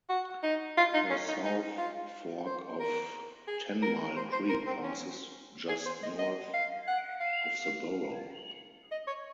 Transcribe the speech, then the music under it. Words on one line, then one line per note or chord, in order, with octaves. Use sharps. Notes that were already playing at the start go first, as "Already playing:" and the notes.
The South Fork of Tenmile Creek passes just north of the borough.
F#4
D#4
F4
D#4
C#4
D#4
D#4
F4
C5
A#4
G#4
A#4
C5
C5
A#4
C4
C#4
G#4
C5
D#5
D#5
F5
F#5
F5
D#5
C#5